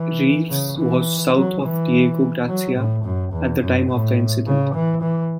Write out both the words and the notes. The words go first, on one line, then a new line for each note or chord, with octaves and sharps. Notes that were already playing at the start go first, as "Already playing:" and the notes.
"Reeves" was south of Diego Garcia at the time of the incident.
Already playing: E3
C#3
E3
F#3
E3
F#3
A2
F#2
E2
F#2
A2
C#3
E3
E3